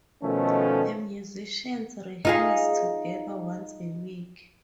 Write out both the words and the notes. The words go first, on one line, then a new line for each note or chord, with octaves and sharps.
The musicians rehearse together once a week.
B2 D#3 F3 A3 C#4 A4
D#4 F4 G#4